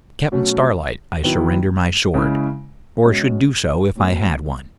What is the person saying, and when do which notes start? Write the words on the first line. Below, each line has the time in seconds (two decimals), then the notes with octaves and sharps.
Captain Starlight, I surrender my sword--or should do so if I had one.
0.32 B2 F#3 A3 C#4
1.23 D#3 F#3 B3 E4
2.14 C#3 G#3 C#4 E4
3.05 B2 G#3 C#4
3.96 A2 F#3 B3